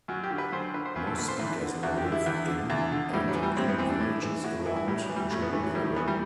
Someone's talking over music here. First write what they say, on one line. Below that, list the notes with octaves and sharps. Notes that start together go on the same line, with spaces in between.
Most speakers now live in and in villages around Jerusalem.
F#2 F#4
G4
D3
B4
F#2 C5
D3 B4
C5
F#2 B4
A4
D3 B4
C5
E2 B4
D3
E2 F#4
G4
D3
E4
E2
D3
E2
D3
A2 G3
F#3
E3
G3
A2 C4
B3
E3 C4
D4
A2
E3
A2 F#4
E3 E4
E4
A2 G3
F#3
E3
G3
A2 A3
B3
E3 A3
F#3
A2 G3
A3
E3 B3
G3